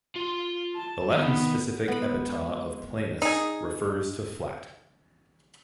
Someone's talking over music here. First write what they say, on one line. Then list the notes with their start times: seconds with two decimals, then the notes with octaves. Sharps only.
The Latin specific epithet of "planus" refers to flat.
0.16 F4 C6
0.76 A5
1.12 D#3 B3
1.88 G#3 B3 B5
3.22 D#4 G#4